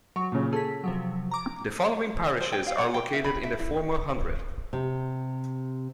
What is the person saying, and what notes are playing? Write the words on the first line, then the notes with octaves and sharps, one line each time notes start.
The following parishes are located in the former hundred.
F#3 C#6
A#2 C#3
G#4 A4 B6
C3 F3 F#3
A#5 D6
C5
G5
F5
F#5
G5
E5
B5
E5
E4
C3